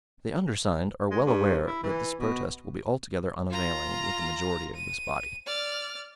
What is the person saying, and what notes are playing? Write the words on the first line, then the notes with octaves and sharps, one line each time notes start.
The undersigned are well aware that this protest will be altogether unavailing with the majority of this body.
G#3
G2
E4
E3
B2
F4 A#5
D#7
D5 F6